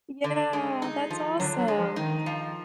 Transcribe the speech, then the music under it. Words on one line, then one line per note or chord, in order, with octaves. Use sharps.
Yeah, that's awesome.
D3
G#3
D#4
F3
D3 F#3
F#3
G#3
F3
D#3 D#4
F3